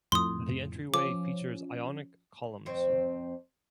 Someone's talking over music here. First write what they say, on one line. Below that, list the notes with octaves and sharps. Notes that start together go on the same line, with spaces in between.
The entryway features ionic columns.
F2 A2 C6 D#6
F3 C#4 D6
F2 C4 C#5